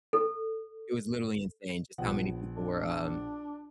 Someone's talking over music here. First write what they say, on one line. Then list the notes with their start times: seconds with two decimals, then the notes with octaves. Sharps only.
it was literally insane just how many people were, um,
0.13 A4
1.98 A#1 B3 F#5
2.56 D4